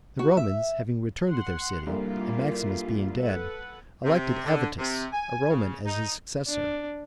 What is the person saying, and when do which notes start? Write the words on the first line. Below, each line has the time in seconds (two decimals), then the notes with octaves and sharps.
The Romans, having returned to their city, and Maximus being dead, elected Avitus, a Roman, as his successor.
0.19 F#4
0.37 E5
1.29 F#5 C6
1.87 F1 C2 G2 G3 A#3 E4 F4
3.15 A4 B4 F#5
4.03 C3
4.45 D3
4.78 C3
5.12 G#5
5.49 C#3
5.85 D#4
6.47 D4